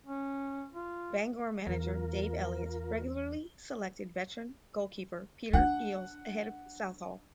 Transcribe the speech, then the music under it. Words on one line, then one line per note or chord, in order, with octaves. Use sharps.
Bangor manager Dave Elliott regularly selected veteran goalkeeper Peter Eales ahead of Southall.
C#4
F4
E2 F4 A#4
D4 F#5